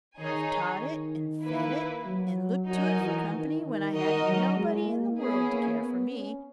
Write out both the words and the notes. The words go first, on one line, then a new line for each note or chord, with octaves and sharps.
I've taught it, and fed it, and looked to it for company when I hadn't nobody in the world to care for me.
D#3 D#4 G#4 C#5 G#5
D#3
A#3 E4 B4
F#3
F#3 D#4 F#4 A#4 D#5 G#5
E3
D#3
D#3
D#3 D#4 F#4 A#4 D#5
F#3
G#3
A#3
B3 C#4 E4 G#4
A#3
B3
C#4